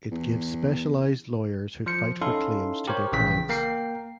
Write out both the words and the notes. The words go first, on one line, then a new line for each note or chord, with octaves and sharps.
It gives specialized lawyers who fight for claims to their clients.
E2
F3 C5 C#7
C#4 D#4 E4 A4 F5 C6
G4 A#4 C5 C#5
A#1 C#3 E3 G5 B6
A#3 A#4 G5 C7